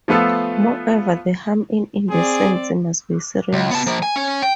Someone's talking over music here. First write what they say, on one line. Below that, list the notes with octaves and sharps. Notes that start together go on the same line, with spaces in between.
Moreover, the harm in indecency must be serious.
F3 A3 B3 F4 A4
C4 G#4 D5
C#2
B3 A5
F3 A#3
G#5
C#4
G5